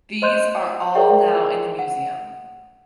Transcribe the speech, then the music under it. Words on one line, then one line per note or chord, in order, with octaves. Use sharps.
These are all now in the museum.
C5 D#5 C6 F#6 G6
G#4 A#4 C5 D5 E5 G5
F#5